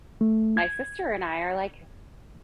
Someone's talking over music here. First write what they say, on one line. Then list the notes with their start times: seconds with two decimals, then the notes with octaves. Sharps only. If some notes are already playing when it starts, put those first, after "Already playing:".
my sister and I are, like
0.21 A3
0.57 G#6